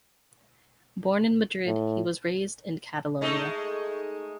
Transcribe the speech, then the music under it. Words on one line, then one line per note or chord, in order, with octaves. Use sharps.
Born in Madrid, he was raised in Catalonia.
A2
G#3 A3 D#4